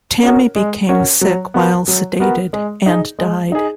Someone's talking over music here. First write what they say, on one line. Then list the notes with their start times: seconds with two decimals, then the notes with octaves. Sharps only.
Tammy became sick while sedated and died.
0.23 C#4 F#4 A#4
0.56 G#3
0.89 C#4 F#4 A#4
1.21 F#3
1.54 B3 F#4 A#4
1.88 F#3
2.20 B3 F#4 A#4
2.53 G#3
2.86 D#4 G#4
3.19 G#3
3.52 D#4 G#4